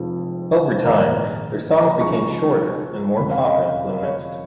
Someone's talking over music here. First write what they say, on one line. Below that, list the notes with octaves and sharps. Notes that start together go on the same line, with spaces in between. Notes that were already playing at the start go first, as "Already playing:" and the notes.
Over time, their songs became shorter and more pop-influenced.
Already playing: F1 F2 F3 G#3
A#1 G#2 D#3 A#3 A#4
A#4
B4
D#5
A#5
B5
C#2 C#3 F3 A#3 D#4 C#6
F1 F2 C#3 B5
F5
D#5
C#5